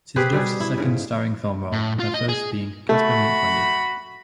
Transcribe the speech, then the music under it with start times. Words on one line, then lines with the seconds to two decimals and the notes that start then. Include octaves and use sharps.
It is Duff's second starring film role, her first being "Casper Meets Wendy".
0.16 C4 G4 G#4 B4
0.33 B2 G3 G4 G#4
0.60 E4
0.78 G#2 C#3
1.72 A2
2.00 F4
2.14 D#5
2.29 G#4
2.89 A3 F#4 B5